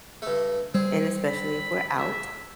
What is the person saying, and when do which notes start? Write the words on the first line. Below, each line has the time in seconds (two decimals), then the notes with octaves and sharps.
And especially if we're out
0.22 G2 A3
0.74 G3 C4 G#4
1.27 B5
1.98 E5